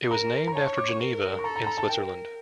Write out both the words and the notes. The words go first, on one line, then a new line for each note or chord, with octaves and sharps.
It was named after Geneva, in Switzerland.
A#4 A#5
A#5
C#5 A5
C#6
D6
C#6
A#4
C#6
A4 A#5
A#5
A#5
A5
A#4 G5